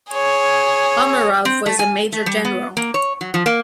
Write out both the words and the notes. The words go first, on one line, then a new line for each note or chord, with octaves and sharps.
Omarov was a major general.
G#4 C#5
C4
A3
G#5
A3
G3
B3
A#3
C#5
F#3
F3
A#3